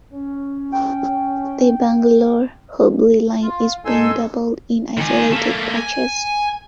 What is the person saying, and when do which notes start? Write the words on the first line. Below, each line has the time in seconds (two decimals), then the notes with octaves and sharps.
The Bangalore-Hubli line is being doubled in isolated patches.
0.13 C#4
0.72 G5
3.42 F4
3.85 G#2 D#4 A4 G#5 C6 E6
4.97 D#3 G#4
5.30 A3 A#3
5.77 G#5